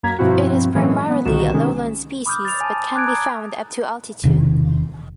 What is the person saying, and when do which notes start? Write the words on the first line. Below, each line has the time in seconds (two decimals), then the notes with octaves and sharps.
It is primarily a lowland species but can be found up to altitude.
0.03 F#2 A#3 A#5 G#6 B6
0.18 G2 B2 F3 C4 E4 F#4
0.75 A2 E3 F#3 G#3 A#3 C#4
1.09 B3
1.25 C2 A#2 D3 D#3 F#4 E7
1.53 C3 D#3 G#3 C#4
2.26 B5 D6 D#6 F6 G6
2.45 A6 F7
2.61 G#5 A5
2.94 D6 F#6 G#6 D7
3.06 A#5 D#6
4.24 E1 C3 D#3